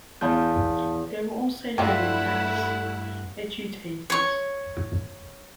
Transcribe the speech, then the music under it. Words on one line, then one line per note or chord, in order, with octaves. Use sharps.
They were also known as "adjutators".
E2 F5 A5 G6
G2 G3 A3 E4 F4 E5 F#5
C#5 C#6